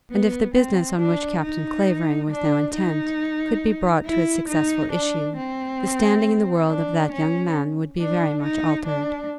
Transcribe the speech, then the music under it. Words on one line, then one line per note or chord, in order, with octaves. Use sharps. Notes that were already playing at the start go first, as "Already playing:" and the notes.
And if the business on which Captain Clavering was now intent could be brought to a successful issue, the standing in the world of that young man would be very much altered.
B3
C4
D4
D#4
D4
D#4
E4
D#4
D4
C4
D4
C#4
D4
D#4
D4